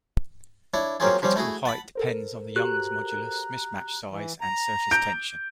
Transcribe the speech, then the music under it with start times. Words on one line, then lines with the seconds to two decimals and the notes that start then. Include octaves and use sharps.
The critical height depends on the Young's modulus, mismatch size, and surface tension.
0.74 D4 E4 C#5
1.00 F#3 A#3 C4 C#4 F4 G#4
1.22 F3 G3 C4 C#4
1.36 A3 E4 F#4 G#4
1.65 F#5 A5 B5
1.95 A4 A#4 C5
2.56 F#4 G4 A#5 F#6
4.11 E3
4.41 A#5
4.91 G6 D7